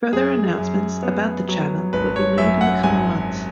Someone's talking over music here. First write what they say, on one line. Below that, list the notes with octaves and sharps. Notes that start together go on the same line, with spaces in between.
Further announcements about the channel would be made in the coming months.
F#2 G#4
F#2
B3
F#3
G#1 B4
C#5
F#2 E5
F#5
G#1 G#5